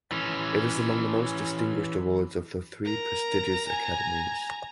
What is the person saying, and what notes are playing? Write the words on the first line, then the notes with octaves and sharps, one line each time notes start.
It is among the most distinguished awards of the three prestigious academies.
E3 C#4
A#4 A#5
G#5